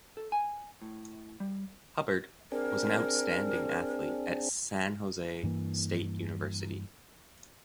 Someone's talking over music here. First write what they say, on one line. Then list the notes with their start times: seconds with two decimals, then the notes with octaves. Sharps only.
Hubbard was an outstanding athlete at San Jose State University.
0.17 A4
0.32 G#5
0.82 A2
1.40 G3
2.52 C4 D4 G#4 A#4
5.43 G2 E3 A#3